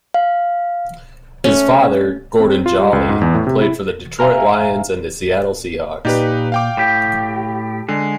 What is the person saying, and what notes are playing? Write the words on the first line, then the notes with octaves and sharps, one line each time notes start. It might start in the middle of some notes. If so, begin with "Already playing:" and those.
His father, Gordon Jolley, played for the Detroit Lions and the Seattle Seahawks.
F5
A3 C#4
C4
F4
G3
C#2
G#2
E2
A2
C3
E4
E5 F5 G#5 A#5 F6
A#2 D#4 G4 B4
F5 G5 D6
A2 G4
D3 G#3